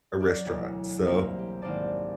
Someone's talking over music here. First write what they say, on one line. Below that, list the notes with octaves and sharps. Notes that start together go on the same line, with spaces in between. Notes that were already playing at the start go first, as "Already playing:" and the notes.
a restaurant. so,
F#3 D4 D5
E1 D2
C2 A#3 C5 E5 A#5
G4
G#1 A#3 C4 C5 D5 A5